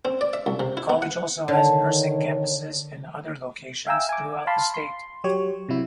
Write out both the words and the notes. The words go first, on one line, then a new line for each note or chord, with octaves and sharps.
The college also has nursing campuses in other locations throughout the state.
C4
D5
E5
C2
C3
E4
B3
F#5
D3 D#3 C#5
E5 F5 G5 G#5 A#5 E6
G#5 D6
F5 A5 B5 C6
C6
F#3 G4 C#5
C3 F#3 E4